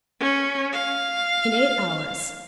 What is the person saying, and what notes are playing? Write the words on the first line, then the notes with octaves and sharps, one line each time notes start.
"In eight hours."
C#4
F5